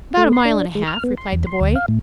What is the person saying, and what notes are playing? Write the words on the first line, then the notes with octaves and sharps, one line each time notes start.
"About a mile and a half," replied the boy.
A3
C6
D4
G#3
F6
B3
C6
E2
C6
D2
F5
A2